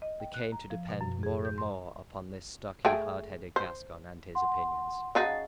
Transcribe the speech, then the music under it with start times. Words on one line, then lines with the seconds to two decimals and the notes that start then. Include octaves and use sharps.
They came to depend more and more upon this stocky, hard-headed Gascon and his opinions.
0.02 D#5
0.20 G5
0.34 F#6
0.52 A#5
0.70 F3
0.89 B2
1.01 F#2
1.23 G#4
1.45 G6
1.58 C6
2.85 A3 G#4 G5
3.56 C5
4.35 F#5 C6
5.15 C#3 D#4 F#4 A5 A6 C7